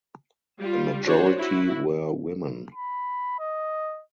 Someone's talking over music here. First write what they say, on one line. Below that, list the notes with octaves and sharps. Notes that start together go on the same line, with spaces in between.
A majority were women.
G3 F4
D4 F#4 C5 C#5
E4 F#4
B5
D#5